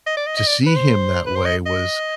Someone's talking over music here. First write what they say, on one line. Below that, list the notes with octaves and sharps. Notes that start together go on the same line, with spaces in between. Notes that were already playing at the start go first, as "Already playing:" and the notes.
to see him that way was
D#5
D5
D#5
D#5
D5
B4
C5
B4
C5
D#5
D#5